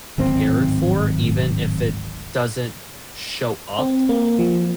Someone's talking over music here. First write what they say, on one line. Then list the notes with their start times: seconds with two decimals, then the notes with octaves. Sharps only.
cared for even if it doesn't show up
0.18 D1 G#1 C4
3.79 C4
4.09 A#3
4.39 F3